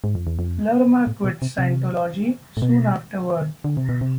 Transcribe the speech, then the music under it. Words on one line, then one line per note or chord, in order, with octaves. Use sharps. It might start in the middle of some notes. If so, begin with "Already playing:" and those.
Lerma quit Scientology soon afterward.
G#2
F2
E2
F2
A2
B2
C3
C3
A2
B2
D3
C3
B2
C3